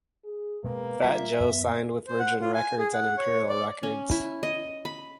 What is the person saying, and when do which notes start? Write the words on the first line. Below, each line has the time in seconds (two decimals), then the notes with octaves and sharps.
Fat Joe signed with Virgin Records and Imperial Records.
0.24 G#4
0.64 B2 G#3 A#3 C4 B4
1.04 G3 F4 E5
1.40 F#2 B3
2.07 C5
2.19 F#5
2.41 F4
2.54 G#5
2.78 G#4
2.93 F#5
3.18 C#5
3.49 D5
3.83 C#4
4.11 E4
4.43 D#5
4.85 B5